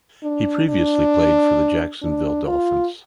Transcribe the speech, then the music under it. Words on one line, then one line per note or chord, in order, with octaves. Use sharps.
He previously played for the Jacksonville Dolphins.
D4
D4
D4
F4